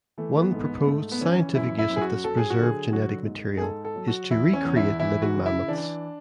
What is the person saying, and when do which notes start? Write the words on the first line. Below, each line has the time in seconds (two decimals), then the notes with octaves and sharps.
One proposed scientific use of this preserved genetic material is to recreate living mammoths.
0.18 E3 A3
0.35 A3
0.41 B3
0.52 G#2 A3
0.64 B3
0.87 G#2 A3
1.12 B3
1.21 E3 C#4
1.55 F#2 E4
1.79 E4
1.90 F#2
1.96 G#4
2.02 F#4
2.24 F#3 A4
2.37 G#4
2.50 F#4
2.59 D3 G#4
2.93 F#3 F#4
3.28 G#2
3.58 G#4
3.62 G#2 A4
3.85 A4
3.96 F#3
4.08 F#4
4.31 E2 E4
4.53 C#4
4.65 E2
4.76 E4
4.99 E3 E4
5.22 F#4
5.34 C#3
5.46 E4
5.68 E3 D4